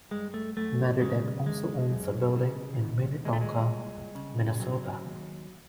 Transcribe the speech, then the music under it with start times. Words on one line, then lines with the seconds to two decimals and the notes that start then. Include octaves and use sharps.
Meditech also owns a building in Minnetonka, Minnesota.
0.11 G2 G#3
0.34 A3
0.57 F#2 A3
1.01 C#3 G#3
1.46 F#2 G#3
1.91 F#2
2.36 C#3
2.80 D#2
3.25 A#2 G#3
3.33 A3
3.41 G#3
3.70 C2
4.15 C#3
4.60 F#3
5.04 D#2